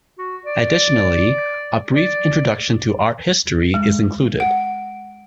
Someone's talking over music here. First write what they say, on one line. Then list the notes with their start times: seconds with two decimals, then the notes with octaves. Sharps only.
Additionally, a brief introduction to art history is included.
0.19 F#4
0.46 D5
1.94 D5
3.74 G#3
4.40 F#5